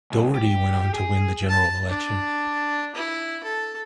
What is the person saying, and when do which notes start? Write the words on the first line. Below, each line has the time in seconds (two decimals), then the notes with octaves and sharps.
Dougherty went on to win the general election.
0.12 C2
0.35 G4
0.94 G#4
1.49 A5
1.89 D4
2.95 E4
3.43 A4